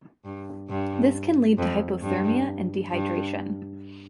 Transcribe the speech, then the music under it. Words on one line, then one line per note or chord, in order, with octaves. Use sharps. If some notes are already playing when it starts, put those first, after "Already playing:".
This can lead to hypothermia and dehydration.
G2
G2
F2
G2
G2